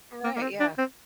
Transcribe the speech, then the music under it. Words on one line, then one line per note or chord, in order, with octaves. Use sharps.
Alright, yeah.
A#3
A#3
C4
D4
C4